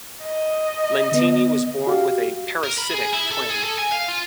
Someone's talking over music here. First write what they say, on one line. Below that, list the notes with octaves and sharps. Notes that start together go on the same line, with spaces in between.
Lentini was born with a parasitic twin.
D#5
D3 B3
F#4 G4 F5
A#4
B5
G#4
E4
A4
G#4
A4
G#5
F5
F4